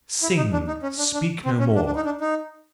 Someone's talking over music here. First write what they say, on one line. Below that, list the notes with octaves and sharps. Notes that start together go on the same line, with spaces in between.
Sing! speak no more!
E4
D#4
D4
D#4
C#4
D4
D4
C4
C#4
D4
D4
D#4
D4
D#4